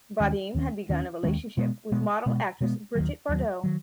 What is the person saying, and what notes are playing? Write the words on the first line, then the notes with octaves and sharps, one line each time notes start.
Vadim had begun a relationship with model-actress Brigitte Bardot.
D#2 D#3 G#3 C#4
D#2 D#3 G#3 C#4
D#2 D#3 G#3 C#4
D#2 D#3 G#3 C#4
B2 G#3 B3
B2 G#3 B3
B2 G#3 B3
B2 G#3 B3
D#2 D#3 F#3
D#2 D#3 F#3
D#3 F#3